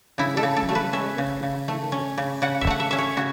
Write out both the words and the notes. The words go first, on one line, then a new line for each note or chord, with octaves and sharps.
Broken wooden handles can often be replaced.
C#3 E4
A4
C#3
A4
A3
B4
C#4 E5
C#3
C#3
A3
C#4
C#3
C#3 F#5
E5
A3 F#5
E5
C#4 E5
C#5
C#3 F#4